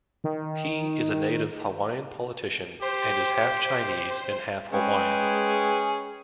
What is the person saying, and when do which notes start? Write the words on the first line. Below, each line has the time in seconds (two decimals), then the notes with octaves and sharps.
Hee is a Native Hawaiian politician, and is half Chinese and half Hawaiian.
0.24 D#3
2.82 G4 C5
4.73 G#3 C#4 G#4 B4 G5